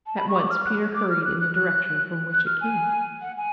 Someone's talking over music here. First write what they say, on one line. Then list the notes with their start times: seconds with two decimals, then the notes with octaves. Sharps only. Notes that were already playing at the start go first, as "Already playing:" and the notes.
At once Peter hurried in the direction from which it came.
0.07 A5
0.17 B5
0.29 C#6
0.39 D6
0.50 F6
0.65 F#6
0.95 D6
1.10 F6
1.25 F#6
1.41 F#6
1.56 F#6
2.31 F#6
2.46 F6
2.61 G#5
3.21 F#5
3.37 G#5